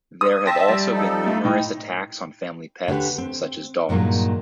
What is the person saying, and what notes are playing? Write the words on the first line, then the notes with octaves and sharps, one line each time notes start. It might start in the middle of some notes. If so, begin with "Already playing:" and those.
There have also been numerous attacks on family pets, such as dogs.
D#6
E5 G5 A5 C6 A#6
G3
F3 D#4 A4
A3
A2 D#4 G5
D3 C#4 G4 B4
C4
G2 A#2 D#3 F#3 G#3